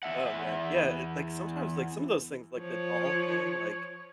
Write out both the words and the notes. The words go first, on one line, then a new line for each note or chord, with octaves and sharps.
Oh, man. Yeah, it like sometimes, like, some of those things, like, the doll thing, like
E2 E5 F#5
F3 C#5